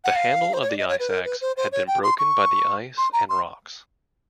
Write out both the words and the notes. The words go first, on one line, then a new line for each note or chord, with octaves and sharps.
The handle of the ice axe had been broken by the ice and rocks.
F#5
F5
C5
C#5
D5
D#5
C#5
B4
A#4
B4
C5
C5
C#5
G5
C6
C#6
C6
A#5
C6